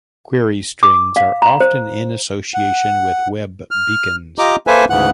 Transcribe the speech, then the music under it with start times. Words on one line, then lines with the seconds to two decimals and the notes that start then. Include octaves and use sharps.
Query strings are often used in association with web beacons.
0.83 D6
1.16 F5
1.42 A#5
1.60 C5
2.54 F#5
3.71 F6
4.38 F4 G4 D#5 A#5 D6
4.67 A#3 A4 B4 C5 E5 G#5
4.90 D2 G#2 C#3 E3 F#5 F#6